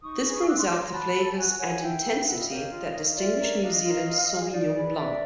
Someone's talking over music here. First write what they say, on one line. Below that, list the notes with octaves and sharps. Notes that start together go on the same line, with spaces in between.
This brings out the flavors and intensity that distinguish New Zealand Sauvignon blancs.
D#4 C#6 D#6
G#4 B4
F#4 D6 E6
C6 D6
A4 C#5 C6 D6
A#5 C6
F#4 A5 B5
A4 C#5
F#4 F#5 G#5
A#4 C#5 F#5 G#5
E4 F5 G5
G#4 B4
E4 E5 F#5
D#5 F5
G4 A#4 C#5 D#5 F5
D#5 F5
F4
A#4 C#5
F4 D5 E5
A#4 C#5
D4 D#5 F5
F4 A#4 C#5
F4
G#4 C5
D#5
D#4 D5
G#4 B4
D4 D5 E5